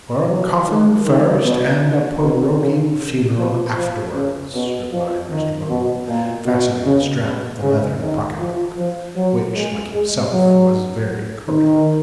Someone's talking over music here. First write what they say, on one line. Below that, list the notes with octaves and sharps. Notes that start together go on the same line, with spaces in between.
'For a coffin first, and a porochial funeral afterwards,' replied Mr. Bumble, fastening the strap of the leathern pocket-book: which, like himself, was very corpulent.
F#3
D#3
D#3
B2
B2
C#3
F3
F3
C#3
B2
F3
D#3
B2
A#2
B2
C#3
B2
C#3
D#3
F3
F3
F#3
G#3
G#3
F#3
D#3